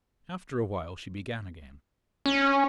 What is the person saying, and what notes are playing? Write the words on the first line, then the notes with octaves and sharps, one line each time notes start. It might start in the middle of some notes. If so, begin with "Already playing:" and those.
After a while, she began again.
C#4